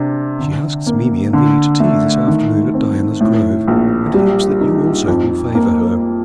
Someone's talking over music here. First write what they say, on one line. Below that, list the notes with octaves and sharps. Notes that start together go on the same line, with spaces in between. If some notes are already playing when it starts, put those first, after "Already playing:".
"She asks Mimi and me to tea this afternoon at Diana's Grove, and hopes that you also will favour her."
Already playing: C3 D4
D3
A#3
D3
A3
D#3
C4
A2
A#1
G3
D#4
F2
A#3